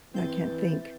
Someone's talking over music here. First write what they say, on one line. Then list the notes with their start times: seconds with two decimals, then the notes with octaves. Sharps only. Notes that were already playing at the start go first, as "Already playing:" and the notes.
I can't think.
0.14 E3 C4 G6 A6